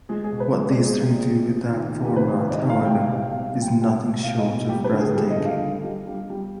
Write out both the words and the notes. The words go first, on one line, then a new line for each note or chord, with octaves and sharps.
What these three do with that format, however, is nothing short of breathtaking.
G#3 G#4
G#4
B2
B4
G#3 C5
D5
G#3
G#4
C3
C3
C3
D#3
D#3
G4
C3 B4
C5
D#3
D5
D#5
C3
F5
G3 G5
F5
B2
F5
B2 F5
G3
G5
B2 G5
B2
B2 F5
D#5
B2
G3 G4
B4
D3
G#4
G3 G#4
D#5
D3
F5
D3
G3
G3
G3